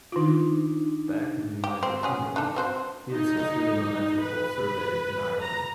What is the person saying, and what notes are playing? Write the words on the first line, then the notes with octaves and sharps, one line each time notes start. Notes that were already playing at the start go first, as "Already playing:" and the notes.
Back in the United Kingdom, he assisted in the trigonometrical survey in Ireland.
D#3 D4 D#4 F4
G4
C4
F#3 C#4 G#4
D4 D#4 A4
C4 F#4 C5
D#4
B4
A#5